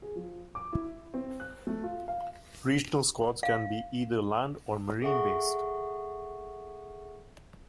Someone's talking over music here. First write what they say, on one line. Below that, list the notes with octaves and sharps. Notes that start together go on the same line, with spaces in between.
Regional squads can be either land or marine based.
G#4
F3
D6
E4
C4
F#6
A3
F4
F5
F5
G#4 A4 E5 F#5 C#6